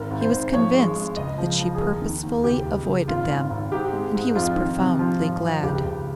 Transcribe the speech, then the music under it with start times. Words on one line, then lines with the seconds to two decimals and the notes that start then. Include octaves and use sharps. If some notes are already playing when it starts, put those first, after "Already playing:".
He was convinced that she purposely avoided them and he was profoundly glad.
Already playing: G#1 A#4
0.11 G#1
0.21 C5
0.32 G#1
0.53 F3 C#5
0.75 G#3
0.95 G#3
1.16 C#2 D#5
1.38 F3
1.60 F3
1.75 G#4
1.80 D#2 A#4
2.02 D#3
2.23 D#2
2.44 C#2 G4
2.66 C#2
2.87 C#2
3.08 G#1 F4
3.29 G#1
3.50 G#1
3.71 G#2 G4
3.93 G#3
4.14 G#2
4.35 F2 F4
4.56 D#3
4.78 C3
4.99 F3 F4
5.20 G#1
5.42 F3
5.63 C#2 G4
5.84 C#2